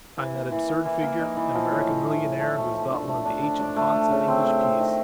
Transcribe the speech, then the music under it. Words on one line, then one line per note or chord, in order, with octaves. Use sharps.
I am that absurd figure, an American millionaire, who has bought one of the ancient haunts of English peace.
E3
A#3
E3
A#3
E3
A#3
D#4
E3
F3
A2
A2
A3
A2
A3
A3
F3
D4
A3
D4
D4
D4
A3
A3
C#3
C4
A3
C4
D#3